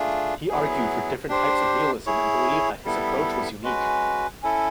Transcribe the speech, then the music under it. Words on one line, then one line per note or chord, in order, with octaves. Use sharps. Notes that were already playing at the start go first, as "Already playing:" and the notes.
He argued for different types of realism and believed that his approach was unique.
Already playing: A3 D4 F4 G#4
F#3 B3 E4 G#4
D4 G4 C5
E4 G#4 C#5
G3 B3 E4 A4
G#3 C#4 F#4 B4
C#4 E4 A4